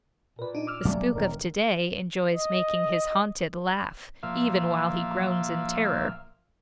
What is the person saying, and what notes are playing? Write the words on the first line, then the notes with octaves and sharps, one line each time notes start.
The spook of to-day enjoys making his haunted laugh even while he groans in terror.
A#2 A#4 B4
D4 D#4
D6 E6 F6
A#2 F#3 G3 A3 D5
E1 D#3 A#4
D#5
A#2 F3 E5 F5